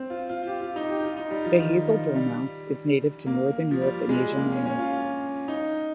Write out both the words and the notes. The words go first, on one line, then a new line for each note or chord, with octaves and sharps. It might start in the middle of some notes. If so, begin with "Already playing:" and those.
The hazel dormouse is native to northern Europe and Asia Minor.
Already playing: C4
F4
F4
F4
G4
F4
D#4
G4
F4
D#4
G3
F3
D#3
F3
G3
A#3
F3
G3
G#3
A#3
C#4
C#4
F4
F4
D#4